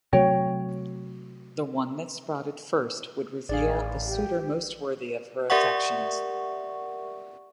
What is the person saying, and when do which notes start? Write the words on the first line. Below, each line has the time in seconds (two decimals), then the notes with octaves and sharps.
The one that sprouted first would reveal the suitor most worthy of her affections.
0.13 C3 F#3 A3 F#4 C#5 G5
3.49 A1 G#4 D5 F5
4.07 G4
5.50 G4 A#4 D5 E5 F#5 C#6